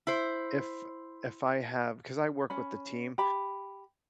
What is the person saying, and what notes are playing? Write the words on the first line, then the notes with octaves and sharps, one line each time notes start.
if if I have 'cause I work with a team,
E4 C5
C#4 B5
G4 B5